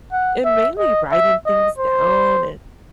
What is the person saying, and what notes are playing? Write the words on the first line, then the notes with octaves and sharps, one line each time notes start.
and mainly writing things down, and
F#5
E5
D#5
E5
D#5
C5